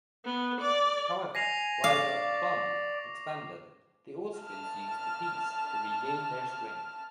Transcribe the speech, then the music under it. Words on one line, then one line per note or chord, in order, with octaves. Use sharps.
However, while the "Bund" expanded the Austrians used the peace to regain their strength.
B3
D5
G#5 A#6 C7 F7
D5 F5 C#6 D6
A5 F6